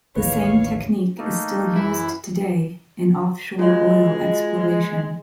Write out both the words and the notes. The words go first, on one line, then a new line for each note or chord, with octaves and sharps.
The same technique is still used today in offshore oil exploration.
A1 D#2 A2 B4 C#5 F5
A3 A#3 D#4
F#2 E3 E4
G#3 F4 F#4 D#5